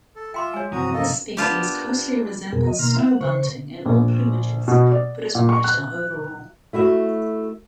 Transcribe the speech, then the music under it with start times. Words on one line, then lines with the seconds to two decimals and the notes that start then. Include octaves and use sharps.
This species closely resembles snow bunting in all plumages, but is whiter overall.
0.16 A4
0.34 F4 E5 G5 C6 D6
0.54 G#3 C#5 G#5
0.72 F1 G2 E3 C4 F#4 A#5 D#6
0.94 A#3 A4 D#5 F5
1.37 B3 D4 F4 G4
2.52 F2 B2 B3 G#4 A#4
2.67 D#5
2.79 B2 D#3 A#3 A#5 C6 F6
2.96 C4 E4 E5 F5 G5 B5
3.08 F#5
3.21 C#3 C5 C#6
3.86 A#1
4.68 B2
4.92 D5
5.35 A#2
5.49 C#6
5.64 F#6
6.73 A3 E4 F#4 E5